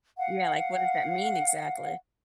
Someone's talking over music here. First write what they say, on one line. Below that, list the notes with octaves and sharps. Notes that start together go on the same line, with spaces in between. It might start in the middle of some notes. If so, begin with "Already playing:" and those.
Yeah, like what does that mean exactly?
F5 F#5